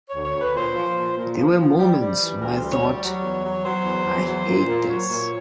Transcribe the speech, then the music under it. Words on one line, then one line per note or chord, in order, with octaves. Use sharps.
There were moments when I thought, 'I hate this.
C#5
D2
C#5
D2
B4
A#2 C5
F3
A#2
A#2
F3
F3
G3
G3
E3
D2 A#4
G3 C5
C#5
G3
F#3 C#5
E2
F#3
F#3 C5
E2
E2
F#3
A#2
A#2
F#3 C#5
A#2